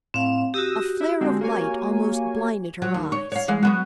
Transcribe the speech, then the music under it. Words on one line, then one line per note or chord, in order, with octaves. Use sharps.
A flare of light almost blinded her eyes.
A2 C4 F5 E7
F#4 G4 D#6 E6 A#6
E4
D3 G#3 C4
A#3 C#5 G#5
F#3
D#2
C#5
C#5 F5
E3 G#3 F5
F#3 B3 F#4